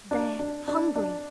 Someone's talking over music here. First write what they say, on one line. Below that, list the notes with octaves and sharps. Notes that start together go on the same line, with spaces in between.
"They're HUNGRY!"
D4
D4
D4
D4